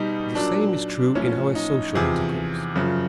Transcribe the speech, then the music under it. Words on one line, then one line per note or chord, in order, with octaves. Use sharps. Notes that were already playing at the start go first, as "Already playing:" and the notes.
The same is true in our social intercourse.
Already playing: B2 G3 D#4
A#2 F#3 D4
A2 F3 C#4
D#4
E2 C3 F3 G#4
F#2 C#3 F3